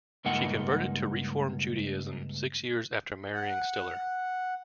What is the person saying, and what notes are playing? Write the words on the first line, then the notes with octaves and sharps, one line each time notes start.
She converted to Reform Judaism six years after marrying Stiller.
C#2 G2 A#3 D#4 F#5
F#5